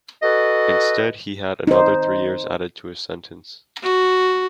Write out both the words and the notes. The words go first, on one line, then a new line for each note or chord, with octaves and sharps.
Instead, he had another three years added to his sentence.
F#4 A4 B4 D#5
D#4 C5
F#4